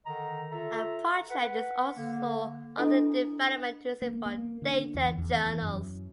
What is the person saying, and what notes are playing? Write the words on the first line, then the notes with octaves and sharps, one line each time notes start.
A project is also under development to use it for "Data Journals".
D3 D#3 D#5 A#5
F4 A4 E5 A#5
B4 F#5
D3 A#3
D4 E4 A4 D#5
A#3
A#3
D3
E2
E2
E3
F#2